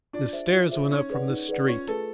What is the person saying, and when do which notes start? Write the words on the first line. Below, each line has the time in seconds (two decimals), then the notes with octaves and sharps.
The stairs went up from the street.
0.13 D4 F4 D5
0.33 G#4 C5 E5
0.53 F4
0.72 G#4 C5 E5
0.91 C#4 D#4 C#5
1.10 G#4 B4 D5 F#5
1.29 D#4
1.49 G#4 B4 D5 F#5
1.68 C#4 F4 C#5
1.88 A3 G#4 A4 B4